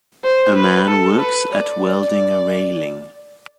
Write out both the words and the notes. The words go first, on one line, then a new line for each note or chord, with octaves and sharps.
A man works at welding a railing.
C5
B4
A4
B4
D5